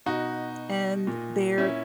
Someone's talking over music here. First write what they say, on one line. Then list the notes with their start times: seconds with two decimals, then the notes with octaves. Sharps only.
and they're
0.06 B2 D#4 F#4
1.07 A#2
1.58 C#4 E4